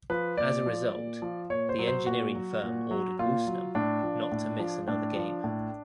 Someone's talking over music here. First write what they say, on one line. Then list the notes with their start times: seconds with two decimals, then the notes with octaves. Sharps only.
As a result, the engineering firm ordered Woosnam not to miss another game.
0.10 F3 B4
0.37 A#2 D5
0.66 F3
0.94 A#2
1.22 F3
1.50 A#2 C#5
1.69 C5
1.79 F#3
1.88 C5
2.06 A#2 F#4
2.35 F#3
2.63 A#2
2.91 F#3
3.19 A#2 F4
3.47 F#3
3.75 A2 D4
4.03 F3
4.32 A2
4.59 F3
4.88 A2 D4
5.16 F3
5.44 A2